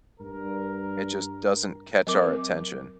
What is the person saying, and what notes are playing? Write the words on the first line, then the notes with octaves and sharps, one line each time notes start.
it just doesn't catch our attention,
G2 A#4
F#3 C4 A#4 D6